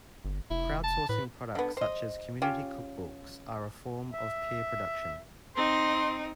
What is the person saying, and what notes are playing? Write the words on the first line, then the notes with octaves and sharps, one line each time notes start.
Crowdsourcing products such as community cookbooks are a form of peer production.
G1
F1 E4
A5
A2 B4
D3 B3
C5 D#5
C#4 F4 G4
E5
C4 D#4 C6